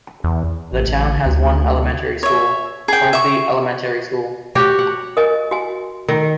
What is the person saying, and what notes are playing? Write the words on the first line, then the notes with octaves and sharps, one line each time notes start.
The town has one elementary school: Hornsby Elementary School.
E2
A1
A1
D2
C#5 E5
G#4 G5
E5 C#6
F#4 G4 C#5
F#5
A#4 D#5 G#5
F#4 G#5
D#3